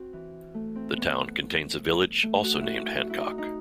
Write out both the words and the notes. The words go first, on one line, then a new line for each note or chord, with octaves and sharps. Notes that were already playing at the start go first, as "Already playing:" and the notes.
The town contains a village, also named Hancock.
Already playing: C4 F#4
E3
A3
C4
B3
A3
F#4
E4 F#4
E4
E4
D#4
D#4